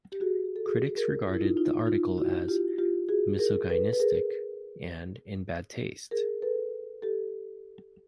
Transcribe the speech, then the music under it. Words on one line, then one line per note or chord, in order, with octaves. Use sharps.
Critics regarded the article as misogynistic and in bad taste.
G4
F#4 G#4
A4
F#4 G#4
G#4 A#4
F4
E4
D#4 F4
D#4 F4
D#4 F4
E4 F#4
F4 G4
F4 G4
F#4 G#4
G#4 A#4
A4 B4
B4
G#4 A#4
G#4 A#4
A4 B4
G4 A4